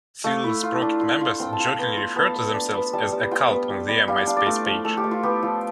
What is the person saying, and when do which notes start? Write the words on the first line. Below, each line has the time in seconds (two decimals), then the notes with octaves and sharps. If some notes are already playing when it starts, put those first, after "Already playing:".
Silver Sprocket members jokingly refer to themselves as a cult on their Myspace page.
0.24 A3 F5
0.44 E4
0.63 F4
0.82 D4
1.01 F4
1.21 F4
1.40 C4 G5
1.53 A5
1.59 F4
1.66 G5
1.78 B3
1.97 F4
2.16 B3 A5
2.36 B3
2.54 D4
2.74 B3
2.93 G3 A5
3.12 G3
3.31 F4 G5
3.51 B3
3.70 G3
3.88 G3
4.08 G3 F5
4.18 G5
4.27 D4 F5
4.37 D5
4.46 A3 F4
4.66 F3
4.85 A3 A4
4.97 G4
5.04 A3
5.11 F4
5.23 B3 G4
5.43 F3